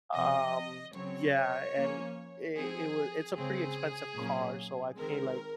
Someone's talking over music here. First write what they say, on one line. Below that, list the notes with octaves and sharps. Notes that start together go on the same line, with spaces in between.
um, yeah, and it it wa it's a pretty expensive car, so I pay like
C3 F3 C4 D#5
C#3 F#3 C4 C#5
F3 A#3 C#4
F3 C4 G#4
C#3 G#3 C4 G#4
A#2 F#3 A#3 C#4
D#3 G#3 C4 A#4